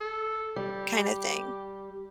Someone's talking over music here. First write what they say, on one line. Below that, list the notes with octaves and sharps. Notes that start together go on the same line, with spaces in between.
kinda thing.
A4
G3 G4